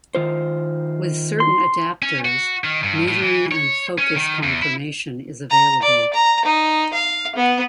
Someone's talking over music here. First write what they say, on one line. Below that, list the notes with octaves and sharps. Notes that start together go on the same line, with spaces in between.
With certain adaptors, metering and focus confirmation is available.
D#3 F4 C5
C6
C#4
F#4
D#3
G2
A2
E3
C#5
C#4
D#3
E2
E4
A#5
D5
A#5
D#4
F5
B3